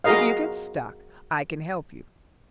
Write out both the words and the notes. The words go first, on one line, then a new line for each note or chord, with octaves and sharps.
If you get stuck I can help you.
F#4 G#4 A#4 D#5 F5